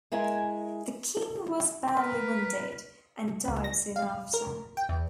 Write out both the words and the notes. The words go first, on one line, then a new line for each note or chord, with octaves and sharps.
The king was badly wounded, and died soon after.
G#3 E4 A#4 G#5
A#4 B4
C#2
A#6
F5
A#4
G5
E2